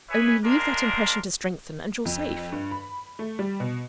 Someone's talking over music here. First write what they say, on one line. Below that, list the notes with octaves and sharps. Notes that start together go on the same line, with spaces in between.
Only leave that impression to strengthen, and you're safe.
G#4 B4 C#5 E5 G#5 B5
G#3 A#3 D4 A#4 C6
F2
G2
B5
A3
G3
B2